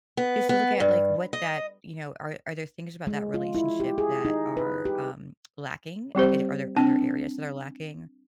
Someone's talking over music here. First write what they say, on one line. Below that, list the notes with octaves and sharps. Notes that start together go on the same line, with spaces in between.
just to look at, like, what that, you know, are are there things about that relationship that are, um, lacking? Like, is there are there other areas that are lacking?
B3
B3
G2
D#5
G#3
F4
E4
G4
G#4
D#4
B4
G4
G3 C4 G4 C5
C4 D4 A5